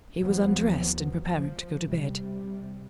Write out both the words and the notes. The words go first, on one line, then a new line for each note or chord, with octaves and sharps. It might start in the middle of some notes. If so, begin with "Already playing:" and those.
He was undressed and preparing to go to bed.
D#2 F3 F#3 B3
F3
C3 G3